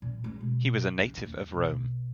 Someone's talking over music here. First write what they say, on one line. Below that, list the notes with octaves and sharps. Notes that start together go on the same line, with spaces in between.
He was a native of Rome.
A#2
G#3
B2
D#4
D#2
B1
B1